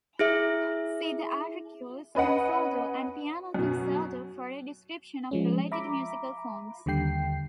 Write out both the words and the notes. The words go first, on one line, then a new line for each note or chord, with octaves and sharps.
See the artirucles concerto and piano concerto for a description of related musical forms.
E4 G#4 E5
C#4 B4 D#5 F#5
F#2 B2
F3 G#3 C#4
E5 A#5 B5 D6
D#2 D3 G3 G5 C7